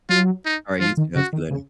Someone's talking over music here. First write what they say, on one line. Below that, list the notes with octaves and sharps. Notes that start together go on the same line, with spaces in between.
Alright, you too, I'll see you later.
F#3 F4
D#4
F3 F4
D#3
C#3 F#4
D#3
C#3